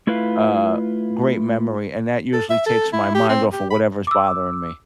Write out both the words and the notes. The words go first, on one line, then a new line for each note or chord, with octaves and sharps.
uh, great memory, and that usually takes my mind off of whatever's bothering me.
A3 E4 F4 B4 E5 F5
A4
E5
A4
E4
G4
C4
G4
B5
D6 E6